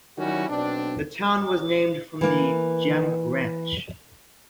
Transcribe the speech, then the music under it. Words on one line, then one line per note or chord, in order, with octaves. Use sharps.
The town was named from the Gem Ranch.
D#3 F#3 G3 C#4 E4 F#4
B1 B2 C4 D4
E3 A#3